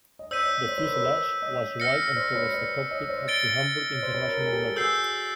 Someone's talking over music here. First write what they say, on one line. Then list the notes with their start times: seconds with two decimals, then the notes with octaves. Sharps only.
The fuselage was white and towards the cockpit had to Hamburg International logo.
0.19 D#5
0.31 C5 D5 E6 G6 B6 D#7
0.43 C#5 D#5
0.55 C#5 D#5
0.68 C5 D5
0.77 B4 C#5
0.87 A#4 C5
0.96 B4 C#5
1.42 C#5 D#5
1.80 F6 A#6 C#7
2.16 C5 D5
2.36 B4 C#5
2.54 C5 D5
2.91 C#5 D#5
3.02 C#5
3.10 C5 D5
3.28 A6 D7 G7
3.92 C#5
4.03 C5 D5
4.14 B4 C#5
4.28 A#4 C5
4.39 G#4 A#4
4.52 G4 A4
4.76 F#4 G#4 E6 G6 C7